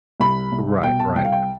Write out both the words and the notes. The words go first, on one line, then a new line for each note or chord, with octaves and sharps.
Right, right.
C2 B5
C2
B2 G5
A5
C2 G5
F5
G5